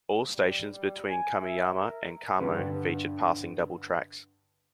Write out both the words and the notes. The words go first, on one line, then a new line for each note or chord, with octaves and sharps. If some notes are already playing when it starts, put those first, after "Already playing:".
All stations between Kameyama and Kamo featured passing double tracks.
G3
G3
G#5
E5
A#4
G2 D3 B4